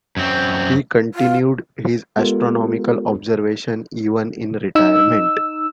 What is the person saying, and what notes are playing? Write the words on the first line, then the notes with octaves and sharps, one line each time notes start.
He continued his astronomical observations even in retirement.
F#2 C4
F4
G#3 B3 F4 G4 A4 A#4
D#4 E6